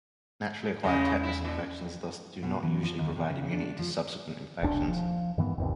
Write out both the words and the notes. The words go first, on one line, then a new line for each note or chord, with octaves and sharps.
Naturally-acquired tetanus infections thus do not usually provide immunity to subsequent infections.
E2 C#3 G#3 A3 C#4
E4
A#2
B2
E3
F3
D#2
C3
C#3
D4
F3
E1 C2 D4
F3
G2 D#3 E3 B3
G1 D#2 C3